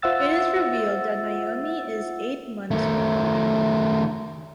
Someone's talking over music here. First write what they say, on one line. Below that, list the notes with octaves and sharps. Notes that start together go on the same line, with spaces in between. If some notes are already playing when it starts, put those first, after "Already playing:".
It is revealed that Naomi is eight months pregnant.
F4 C5 E5 F#5 E6 A6
D#3 A3